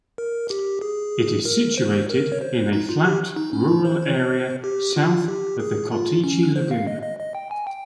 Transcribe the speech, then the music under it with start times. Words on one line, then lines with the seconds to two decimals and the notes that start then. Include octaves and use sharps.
It is situated in a flat, rural area, south of the Kotychi lagoon.
0.18 A#4
0.50 G4
0.81 G#4
1.45 A#4
1.78 C5
2.10 A#4
2.32 C#5
2.41 C5
2.73 D#4
2.89 F4
3.05 G4
3.36 D#4
3.53 C#4
3.68 D#4
3.85 C5
4.64 G4
4.96 F4
5.28 G4
5.60 G#4
5.92 F4
6.24 C#4
6.56 C5
6.71 F5
6.87 D#5
7.03 D#5
7.19 D#5
7.35 G5
7.51 G#5
7.67 G5